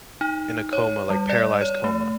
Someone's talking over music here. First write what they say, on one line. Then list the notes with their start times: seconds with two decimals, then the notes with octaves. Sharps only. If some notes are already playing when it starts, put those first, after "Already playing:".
in a coma, like, paralyzed coma.
0.21 D#4
0.73 C#5
1.10 G3
1.29 D5
1.61 C#5
1.84 A3